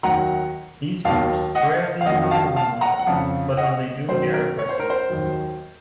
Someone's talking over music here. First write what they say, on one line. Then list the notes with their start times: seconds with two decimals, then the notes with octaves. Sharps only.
These groups rarely encounter one another, but when they do, they are aggressive.
0.03 D#2 D#3 F#3 F#5 A#5
1.05 D#2 D#3 F#3 F5 A5
1.55 D#5 F#5
2.01 F5
2.06 F2 D#3 F#3 D#5 F#5
2.31 F5 A5
2.56 F5 A5
2.81 F#5 A#5
2.99 F#5
3.06 F2 C#3 F3 F5 A5
3.57 D#5 F#5
4.08 F#2 D#3 F#3 C5
4.34 A#4
4.58 C#5
4.69 C5
4.80 A#4
4.90 C5
5.10 D#2 D#3 F#3